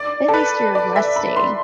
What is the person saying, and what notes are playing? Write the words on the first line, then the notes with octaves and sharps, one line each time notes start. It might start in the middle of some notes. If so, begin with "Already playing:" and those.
At least you're resting.
Already playing: D5
A4
B4
D5
E5
B5
C6